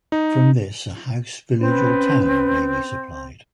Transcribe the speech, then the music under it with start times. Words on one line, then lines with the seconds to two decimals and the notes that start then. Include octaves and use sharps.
From this a house, village or town may be supplied.
0.12 D#4
1.61 C4 C#4 B4